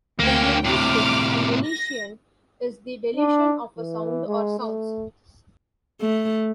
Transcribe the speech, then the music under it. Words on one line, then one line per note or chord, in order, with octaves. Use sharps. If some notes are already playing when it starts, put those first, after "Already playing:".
In linguistics, an elision is the deletion of a sound or sounds.
D2 A#3 C#4 G5
A2 C3 D6 F6
A#6
D4
E3
G#3
A3
A3